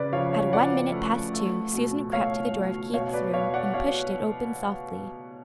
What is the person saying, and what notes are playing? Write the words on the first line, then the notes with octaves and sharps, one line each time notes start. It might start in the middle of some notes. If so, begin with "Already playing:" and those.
At one minute past two Susan crept to the door of Keith's room and pushed it open softly.
Already playing: C#3 B4 D5
F3 C#5 F5
C#5 F5
F3 D5 F#5
A3
A3
B2
A3 C#5 F5
B2
B2 C#5 F5
B4 D5
B2 C#5 F5
D5 F#5
B2 C#5 F5